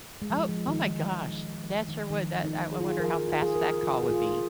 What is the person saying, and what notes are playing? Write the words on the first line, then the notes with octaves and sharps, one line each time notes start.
Oh Oh, my gosh, that sure would. That I I wonder how fast that call would be.
G#3
F3
G#3
F3
D#3
F3
D#3
D#3
F3
D#4
G#4
F4
G#4
A#4
G#4
F4
G#4
A#4
F4
G#4
F4